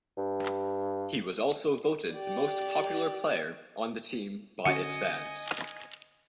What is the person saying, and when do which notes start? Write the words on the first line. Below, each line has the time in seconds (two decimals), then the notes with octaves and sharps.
He was also voted the most popular player on the team by its fans.
0.17 G2
2.13 G4 D5
4.66 D3 C#4 F#4 D#5 G#5 C#7